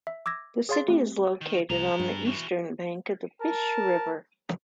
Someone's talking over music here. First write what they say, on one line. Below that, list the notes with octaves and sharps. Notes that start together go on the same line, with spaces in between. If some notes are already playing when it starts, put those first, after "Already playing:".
The city is located on the eastern bank of the Fish River.
E5
D6 E6 G#6 A#6
G#4 C#5 F5 C6 A6
A3 C4 G4
D#3
C2 G#4 A#5
G2
E3 F#4
A#4 A5